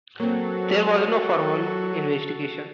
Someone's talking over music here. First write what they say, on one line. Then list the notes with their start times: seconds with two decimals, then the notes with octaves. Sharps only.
There was no formal investigation.
0.20 F#3 A#3 C4 F#4 A4